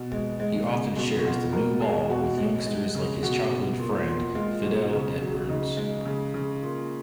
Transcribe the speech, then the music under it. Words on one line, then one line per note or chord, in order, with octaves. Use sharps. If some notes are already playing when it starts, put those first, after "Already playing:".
He often shares the new ball with youngsters like his childhood friend Fidel Edwards.
Already playing: B2
G#3
G#3
C#3
B2
F#4
B2 F4
B2 A#4
G#3 G#4
B2 F#4
G#3
G#3
C#3
B2 F#4
B2
A#2
A#2
G#3 F4
B2
C#3
F#3
C#3 D#4
G#3
C#3
C#3
A#2